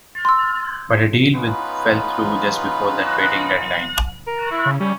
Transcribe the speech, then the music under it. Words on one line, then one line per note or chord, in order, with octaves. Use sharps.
But a deal with fell through just before the trading deadline.
C6 E6
B3 C#4 D#4 F4 B4
A#4
E4
C#3
G3 C#4